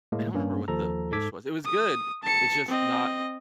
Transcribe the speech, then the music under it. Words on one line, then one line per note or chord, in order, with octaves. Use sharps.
I don't remember what the fish was it was good, it's just not
A2 G#3 A#3
G2 A#3 C#4
D#2 F3 A4 A#5
G#2 A4 D6 G#6 B6
D#6
A5 C#7
C4 D#5